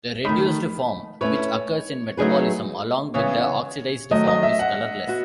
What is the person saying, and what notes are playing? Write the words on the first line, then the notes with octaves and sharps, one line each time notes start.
The reduced form, which occurs in metabolism along with the oxidized form, is colorless.
D#3 A3 D#4 B5
A3 C#4 E4 B4 C#5
F#3 A3 D#4 G#4 B4
C#3 E3 B3 C#5
D#3 F#3 A3 D#5
D#5
E5
F#5
B3 F#4